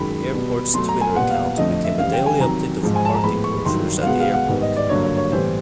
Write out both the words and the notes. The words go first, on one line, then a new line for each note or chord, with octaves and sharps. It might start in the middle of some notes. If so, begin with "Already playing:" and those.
The airport's Twitter account became a daily update of parking closures at the airport.
Already playing: F#2 D#3 G#3 B5
B2 G3 B3
B2 F#3 A3 C6
A#5
G#5
A#2 G3 B3 F#5
F5
F2 D3 F3 A3 D#5
D#5
E5
C#3 E3 G3 F5
G5
G#5
C3 D#3 F#3 A#5
G#2 F3 G#3
G#5
A5
A#5
A2 F3 G#3 B3 B5
C#6
G2 D#3 F#3 C6
F5
B2 G#3 B3 F#5
F5
F#5
G#2 D#3 G3 B3
D#5
D5
G2 D3 F#3 A#3 C#5
C#5
C#5
A2 E3 G3 B3 C5